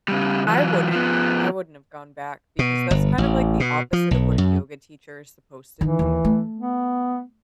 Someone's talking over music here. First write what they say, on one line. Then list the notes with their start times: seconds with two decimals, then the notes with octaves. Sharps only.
I wouldn't I wouldn't have gone back because that's kind of like the opposite of what a yoga teacher is supposed to do.
0.08 C#3 G3
0.48 E3 F#3
0.92 F3 B3
2.59 B2
2.91 G1
3.18 A1
3.60 B2
3.93 F3
4.11 B1
4.38 F#2
5.81 D#3 E3 D#4
5.99 D#2
6.25 A3
6.58 B3